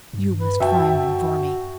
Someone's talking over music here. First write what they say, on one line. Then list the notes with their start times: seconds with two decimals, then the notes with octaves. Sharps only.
You must find them for me!
0.13 G2
0.40 B4
0.60 F#2 F#4 E5 G5 A5